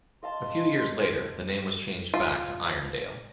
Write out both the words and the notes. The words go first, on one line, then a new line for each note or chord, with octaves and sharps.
A few years later the name was changed back to Irondale.
D#5 F5 A5 C6
F4